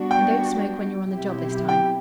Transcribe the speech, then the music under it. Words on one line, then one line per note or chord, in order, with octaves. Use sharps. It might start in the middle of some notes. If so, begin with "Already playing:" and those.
And don't smoke when you're on the job this time.
Already playing: G3 B3 D4 F#4
G5
B2 F#3 C4 E4 G4
G5